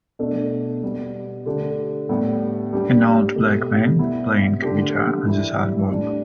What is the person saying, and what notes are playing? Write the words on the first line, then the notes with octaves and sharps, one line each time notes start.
An old black man, playing a guitar on the sidewalk.
B2 A3 D4
B2 G3 B3
D3 A3 D4 G4
A2 G3 B3
G3 D4 G4
B2 A3 E4 G4
G3 B3 E4
D3 A3 D4 G4
E3 G3 E4 G4
A2 G3 D4